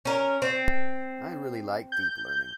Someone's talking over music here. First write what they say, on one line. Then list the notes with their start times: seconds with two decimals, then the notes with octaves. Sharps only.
I really like Deep Learning.
0.05 C#4 A#4
0.42 C4
1.92 G6